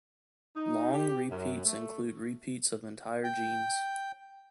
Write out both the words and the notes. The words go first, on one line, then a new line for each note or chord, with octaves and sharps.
Long repeats include repeats of entire genes.
D#4
G4
F#2
A3
G5